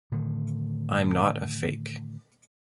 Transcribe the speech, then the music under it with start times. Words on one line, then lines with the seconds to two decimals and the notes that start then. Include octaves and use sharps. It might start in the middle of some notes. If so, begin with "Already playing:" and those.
I'm not a fake.
0.12 A2 D3 D#3